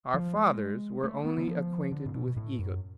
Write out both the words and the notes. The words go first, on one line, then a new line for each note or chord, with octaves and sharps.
Our fathers were only acquainted with egotism.
F3
G#3
A3
B3
D3
F3
D3
A2
B2
A2
F#2